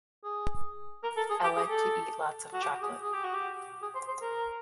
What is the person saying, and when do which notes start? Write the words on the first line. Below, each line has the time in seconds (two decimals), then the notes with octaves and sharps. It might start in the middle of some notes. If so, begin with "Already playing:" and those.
I like to eat lots of chocolate.
0.24 G#4
1.03 A#4
1.16 A4
1.30 G#4
1.44 G4
1.57 G#4
1.69 A4
2.53 F#4
2.63 G4
2.82 G#4
3.02 G#4
3.12 G4
3.24 F#4
3.35 G4
3.82 G#4
3.94 C5
4.08 C5
4.21 A#4